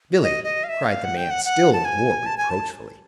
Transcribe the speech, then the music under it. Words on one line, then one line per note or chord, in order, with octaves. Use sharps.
"Billy!" cried the man, still more reproachfully.
D#5
D#5
F5
E5
F5
F#5
G5
F#5
F#5
A5
G#5
A5
G#5
A5